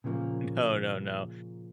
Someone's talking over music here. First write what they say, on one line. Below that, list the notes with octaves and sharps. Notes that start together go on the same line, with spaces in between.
no, no, no.
A#2 C#3 F3 G3 A#3